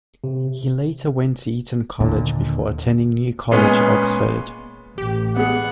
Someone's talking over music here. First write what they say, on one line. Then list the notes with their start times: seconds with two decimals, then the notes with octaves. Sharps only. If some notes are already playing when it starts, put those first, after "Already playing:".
He later went to Eton College before attending New College, Oxford.
0.24 C3
2.00 D#2 A#2 D3
3.51 A#2 G#3 B3 C#4
4.98 A1 G4
5.36 B3 G#4 F#5